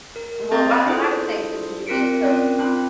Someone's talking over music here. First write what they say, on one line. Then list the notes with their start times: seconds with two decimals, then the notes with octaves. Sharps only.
uh, well, what what I was saying, so did you mean, so
0.16 A#4
0.51 C4 G#4 D#5 C6 G6 A6
0.86 D4 E4 F4 G#4 A4 C5
1.87 C4 F4 A#4 B6 C#7 D7
2.22 C4 C#4 F4 A#4 D5
2.59 C4 D4 F4 B5